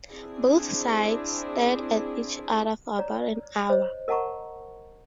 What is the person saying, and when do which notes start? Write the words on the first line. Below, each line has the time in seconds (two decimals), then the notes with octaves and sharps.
Both sides stared at each other for about an hour.
0.11 C4 D4 E4 G#4
2.99 C#5 D5 A#5
3.70 C5 C#5 D#5
4.08 A#4 D#5 F#5 A5 A#5 C#6